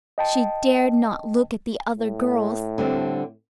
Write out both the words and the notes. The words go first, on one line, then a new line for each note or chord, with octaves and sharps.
She dared not look at the other girls.
D#5 G5 A5
A2
D3 G3 C4